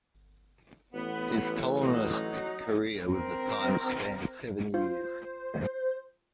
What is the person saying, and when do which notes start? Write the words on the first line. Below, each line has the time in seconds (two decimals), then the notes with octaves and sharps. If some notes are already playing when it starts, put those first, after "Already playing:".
His columnist career with the "Times" spanned seven years.
0.93 A1 B3
1.80 F#3 D#4
3.11 C4 A#4
4.74 F4 C5